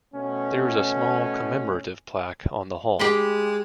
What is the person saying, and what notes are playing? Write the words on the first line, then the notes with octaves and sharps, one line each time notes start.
There is a small commemorative plaque on the Hall.
B2 A3 C#4
G#3 G4 B5 C6